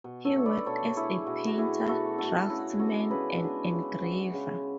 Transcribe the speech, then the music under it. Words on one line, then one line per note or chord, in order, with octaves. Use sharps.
He worked as a painter, draftsman and engraver.
B2
A4 C#5
A3 D4
B4 D5
B2 A4 C#5
A3 D4 E4 G#4
B2 F#4
F#4
A3 D4 E4 G#4
B2 F#4 A4
A3 D4 F#4 A4
C#3 E4 G#4
G#3 B3 D4 F#4 A4
C#3 G#4 B4
G#3 B3 D4
C#3
G#3 B3 D4
C#3